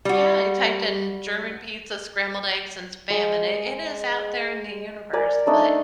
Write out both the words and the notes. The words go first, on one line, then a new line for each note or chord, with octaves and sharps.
yeah I typed in "German pizza, scrambled eggs, and spam." And it it is out there in the universe but
G3 F#4
G#3
A#4 D5 G#5
A3 D4 D#4 A4